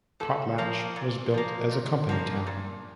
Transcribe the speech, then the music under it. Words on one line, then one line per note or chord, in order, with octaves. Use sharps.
Potlatch was built as a company town.
A#2 A4
F3 A#3
A#2
F3 A#3
A#2
F3 A#3
A#2